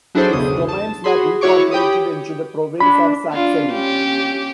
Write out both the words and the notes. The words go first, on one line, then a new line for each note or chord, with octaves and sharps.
Its domains were incorporated into the Province of Saxony.
F#3 D4 E4 G#4 A4 C5
B1 E2 C#3 D#6
A5 E7
F#4 G#4 B5 C6
E4 F#4 C#5 C#6 D6
G4 G5 B5 D#6
D4 B5
D4 F4
C#4 G4